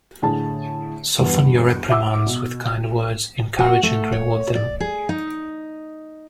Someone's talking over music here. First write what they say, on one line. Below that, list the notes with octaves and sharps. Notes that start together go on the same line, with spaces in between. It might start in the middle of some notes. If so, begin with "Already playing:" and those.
Soften your reprimands with kind words; encourage and reward them.
A2 D3 G#4 A5
E2 G2 B3
E5 F#5 D6 E6
B2
F#4
A3
C#5
D5
G#4
D#4